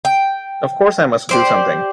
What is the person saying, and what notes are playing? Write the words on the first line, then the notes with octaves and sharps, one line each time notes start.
Of course I must do something.
G5
G4 C5 D5